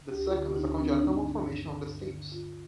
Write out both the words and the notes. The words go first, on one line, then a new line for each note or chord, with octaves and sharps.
The second is a congenital malformation of the stapes.
D2 G4
F4
D3
G4
D2 D#4
D4
D3 C4
D4
G2 D#4
D3
G2
D3
G2
D3
G2 F4